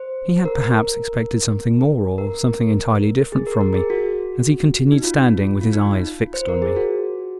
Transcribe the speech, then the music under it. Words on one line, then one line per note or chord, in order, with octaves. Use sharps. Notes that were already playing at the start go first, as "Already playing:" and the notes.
He had perhaps expected something more or something entirely different from me, as he continued standing with his eyes fixed on me.
Already playing: C5
A#4
A#4
G#4
A#4
A#4
G#4
F#4
D#4
F4
F4
D#4
F4
C5
A#4
G#4
F#4